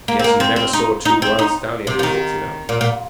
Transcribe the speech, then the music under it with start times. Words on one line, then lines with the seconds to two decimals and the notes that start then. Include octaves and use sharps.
"Guess you never saw two wild stallions mix it up."
0.08 A#3
0.19 C4
0.24 A#3
0.40 C4
0.56 C4
0.73 D#4
1.05 D#4
1.22 C4
1.39 D#4
1.87 C3
1.99 F3
2.03 D#3
2.69 A#2
2.81 A#2